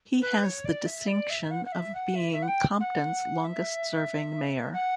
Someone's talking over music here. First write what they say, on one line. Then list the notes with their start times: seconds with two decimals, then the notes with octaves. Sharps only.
He has the distinction of being Compton's longest serving mayor.
0.22 B4
0.43 C#5
0.65 D5
0.86 E5
1.07 D5
1.30 E5
1.51 F#5
1.65 F#5
1.72 E5
1.95 F#5
2.15 E5
2.32 E5
2.42 F#5
2.48 G5
2.80 F#5
3.44 E5
4.73 F#5